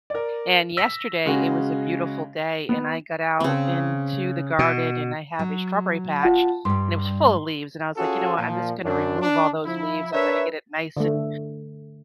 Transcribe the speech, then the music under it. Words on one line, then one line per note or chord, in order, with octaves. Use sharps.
and yesterday it was a beautiful day and I got out into the garden and I have a strawberry patch and it was full of leaves and I was like, "You know what I'm just gonna remove all those leaves. I'm going to get it nice and
A#4 D5
E6 A#6 B6
C#3 G#3 C#4 F#4
B3
C#3 C4
B2
F#3
F4 F#5 A5
G2 G3 C6
C#4 F4 F#4 G#4 A4
A#2 F3
F#2 D4
D4
F3 E4
D4 A#4 B4 C#5 E5
D3 A3